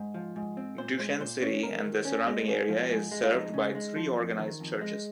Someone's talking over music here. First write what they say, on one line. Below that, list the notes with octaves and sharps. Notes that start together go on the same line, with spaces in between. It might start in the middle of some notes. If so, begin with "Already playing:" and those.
Duchesne city and the surrounding area is served by three organized churches.
Already playing: G#2
F3
G#2
C4
A#2 C5
G#3 C5
A#2 C5
C#4 C#5
G#2 A#4
D#3
C#4
G#3
G#2
F3
G#2
G#3
F4
F2 D#4
C#3
G#3
F3
F2
D#3
F2
G#3